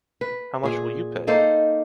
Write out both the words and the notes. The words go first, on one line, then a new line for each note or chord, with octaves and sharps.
How much will you pay?
B4
A#2 G#4
A#3 D#4 A4 C5